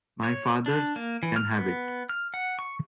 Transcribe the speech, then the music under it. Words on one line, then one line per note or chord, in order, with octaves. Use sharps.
My fathers can have it!
C#5
D4
A#3
E3
F6
B3
F6
F#5
C#6